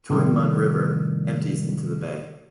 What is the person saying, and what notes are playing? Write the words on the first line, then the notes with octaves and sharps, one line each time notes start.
Tuen Mun River empties into the bay.
A2 C3 D#3 F3 G3 A3